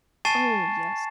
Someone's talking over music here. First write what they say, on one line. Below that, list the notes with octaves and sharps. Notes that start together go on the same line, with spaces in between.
Oh, yes.
G#5 A5 C#6 A6 C7 E7